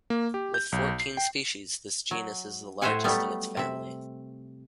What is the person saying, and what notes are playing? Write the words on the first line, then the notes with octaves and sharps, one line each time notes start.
With fourteen species this genus is the largest in its family.
A#3
G4
G6
B1
C7
G5
F#3
A2 C5 C#5 E5 F#5 G#5
F#3 G3 A3 B3
C3 E5